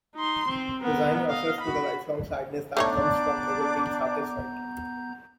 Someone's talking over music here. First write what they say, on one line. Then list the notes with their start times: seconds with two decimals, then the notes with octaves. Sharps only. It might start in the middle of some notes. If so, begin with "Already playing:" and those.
Resign yourself to the lifelong sadness that comes from never being satisfied.
0.15 D#4 C6
0.49 C4
0.80 B3 A#4
1.29 D#5 F5
1.61 F#4 B5
2.77 A3 B3 D4 D#4 C#5 A#5 D6 G6